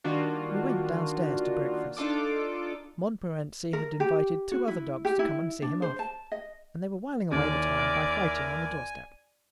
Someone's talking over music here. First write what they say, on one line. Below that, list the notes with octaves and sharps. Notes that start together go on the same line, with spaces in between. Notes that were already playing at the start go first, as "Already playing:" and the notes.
We went downstairs to breakfast. Montmorency had invited two other dogs to come and see him off, and they were whiling away the time by fighting on the doorstep.
D#3 G3 A#3 D4 F4 F#4
D4 D#4 F4 A4 D6
A#4
G4
F#4
E4
G4
E4
D4
C5
A5
D#5
D#2 E4 A#4 D5 G#5